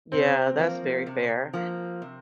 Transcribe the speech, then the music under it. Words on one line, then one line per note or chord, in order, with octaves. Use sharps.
Yeah, that's very fair.
C3 C4
F3 A#3
C3
F3 A#3
C3